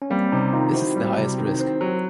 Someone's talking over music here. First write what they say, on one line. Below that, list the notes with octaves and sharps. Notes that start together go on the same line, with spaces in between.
This is the highest risk.
C#4
G3 A#3 C4
C3 C#4 D#4
D#3 D#4 F4
C4 E4 F#4
G3
C3
D#3
C4
F#3